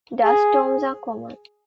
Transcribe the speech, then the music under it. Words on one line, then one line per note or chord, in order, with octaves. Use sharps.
Dust storms are common.
G#4